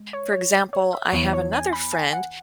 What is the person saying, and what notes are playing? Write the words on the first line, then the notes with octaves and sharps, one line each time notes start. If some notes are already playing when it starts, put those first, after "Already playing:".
For example, I have another friend
Already playing: G#3
C#5
C#5
C#5
E5
E2 E3 B3 E4 C#5
C#5
G#5
B5
G#5
F#5